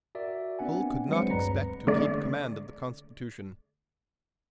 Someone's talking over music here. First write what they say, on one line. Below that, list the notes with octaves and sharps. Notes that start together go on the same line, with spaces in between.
Hull could not expect to keep command of the Constitution.
F#4 A#4 D5 E5
B3 C4 D4 F#5 G#5
F#3 G#3 C4 B4 C5 C#7
G#1 D2 G2 B4 D5 A#5
D3 A3 D5